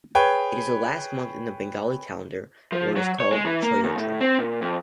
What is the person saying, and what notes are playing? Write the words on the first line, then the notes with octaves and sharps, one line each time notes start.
It is the last month in the Bengali calendar, where it is called Choitro.
G#4 B4 C#5 G5
F3
F#3
C#5
G#3
E3
A#3
D#2
A2
C4
A#2
F2